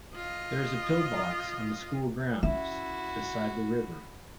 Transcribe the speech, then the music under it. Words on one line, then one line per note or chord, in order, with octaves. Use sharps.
There is a pillbox on the school grounds, beside the river.
F4 D#5
C#4 E4 F#4 E5